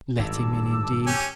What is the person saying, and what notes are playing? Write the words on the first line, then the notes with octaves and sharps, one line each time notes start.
Let him in, indeed!
G#1 G2 A5 D6 E6
C#4 G4 G#5